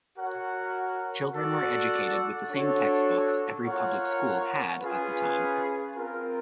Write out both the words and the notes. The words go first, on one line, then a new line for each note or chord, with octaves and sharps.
Children were educated with the same textbooks every public school had at the time.
F#4 A#4 C#5 F#5
F#4 A4 D5 F#5
D4 F#4 A4 C#5 F#5
F4 A#4 C#5 F#5
C#4 F4 G#4 B4
C4 F4 A#4